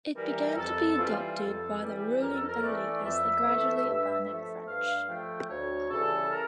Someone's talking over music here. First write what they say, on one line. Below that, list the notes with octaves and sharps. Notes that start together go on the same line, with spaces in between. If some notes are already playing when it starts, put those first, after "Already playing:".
It began to be adopted by the ruling elite as they gradually abandoned French.
E3 G3 A#4
F2 A4
E3 G3 F4
F2 A4
E3 G3 G4
F2 A#4
A4
A#4
E3 A3 D5
F2 E5
E3 A3
G2
F3 A3
G2 F5
F3 A3 G5
D2 C#5
C#3 E3 G3 A4
A#4